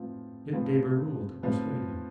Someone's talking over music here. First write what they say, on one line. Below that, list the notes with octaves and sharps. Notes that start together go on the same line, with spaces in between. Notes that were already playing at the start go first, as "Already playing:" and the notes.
Get de Berulle to persuade him.
Already playing: A2 F3 C4 F4 B4
A2 F3 C4 F4 B4
A2 F3 C4 F4 B4